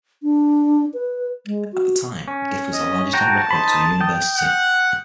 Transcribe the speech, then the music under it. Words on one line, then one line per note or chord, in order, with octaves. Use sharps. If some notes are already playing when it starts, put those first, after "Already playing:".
At the time, the gift was the largest on record to a university.
D4
B4
G#3
F#4
C#4
D#5
F#4 G5 A5 A#5
D#4 C5 B5
G5 D#6
F#5